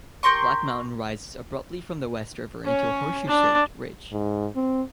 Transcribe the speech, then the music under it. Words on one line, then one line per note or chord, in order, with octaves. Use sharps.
Black Mountain rises abruptly from the West River into a horseshoe-shaped ridge.
G4 A#4 C6 C#6
C#4 C#5
D4 D5
G#2
C4